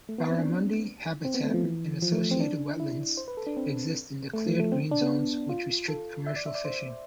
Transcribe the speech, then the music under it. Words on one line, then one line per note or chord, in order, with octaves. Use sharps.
Barramundi habitat and associated wetlands exist in declared green zones which restrict commercial fishing.
A3
B3
C4
D4
C4
B3
A3
F3
E3
F3
A3
C4
D4
E4
C5
B4
A4
D4
C4
A3
F3
A3
C4
D4
B3
F4
A4
E5
D5
E5
D5
C5